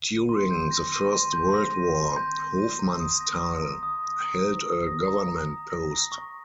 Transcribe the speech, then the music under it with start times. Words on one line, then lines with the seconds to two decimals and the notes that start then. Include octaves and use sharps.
During the First World War Hofmannsthal held a government post.
0.09 D#7
0.29 C6
0.51 G6
0.71 A#6
0.92 D#7
1.13 C6
1.33 G6
1.54 A#6
1.74 D#7
1.96 C6
2.16 G6
2.37 A#6
2.58 D#7
2.79 A#5
3.00 D#6
3.21 A#6
3.41 A#5
3.62 A#5
3.83 D#6
4.04 A#6
4.24 A#5
4.45 A#5
4.66 D#6
4.87 A#6
5.08 A#5
5.28 A#5
5.50 D#6
5.70 A#6
5.91 A#5
6.12 C#6